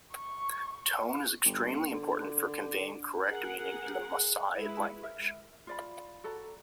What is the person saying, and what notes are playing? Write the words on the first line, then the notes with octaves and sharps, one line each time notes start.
Tone is extremely important for conveying correct meaning in the Maasai language.
C#6
G1
D3
G#4 A#4 F#5
G#3 E4 B4
A#4 E5
F4 D5 B5
F#4 A4 D5 A#5